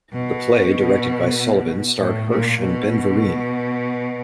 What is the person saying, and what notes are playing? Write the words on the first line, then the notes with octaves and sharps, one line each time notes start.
The play, directed by Sullivan starred Hirsch and Ben Vereen.
B2
A2
A#2
B2